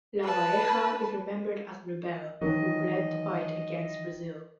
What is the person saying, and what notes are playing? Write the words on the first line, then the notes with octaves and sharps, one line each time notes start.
Lavalleja is remembered as a rebel who led the fight against Brazil.
B4 A5
D#3 E3 F#3 D#5